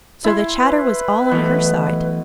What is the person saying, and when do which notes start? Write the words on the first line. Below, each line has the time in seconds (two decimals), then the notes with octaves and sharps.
So the chatter was all on her side.
0.24 E4 C6
0.59 B4
1.32 B2 E3 F#3 A3